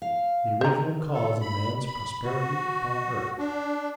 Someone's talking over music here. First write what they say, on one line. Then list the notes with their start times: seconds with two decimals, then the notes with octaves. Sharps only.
"The original cause of man's prosperity upon earth."
0.02 F5
0.61 C5 A#5
1.13 A4
1.41 B5
1.86 B5
2.23 F#4
3.38 D4